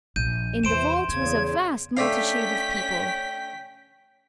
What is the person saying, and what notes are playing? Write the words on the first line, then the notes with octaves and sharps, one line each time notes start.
In the vault was a vast multitude of people.
A#1 G6 D#7
E2 C3 E3 C5 C6 D7 E7
E2 C#3 E4 G#6
A3 C#4 D4 F5 G5 B6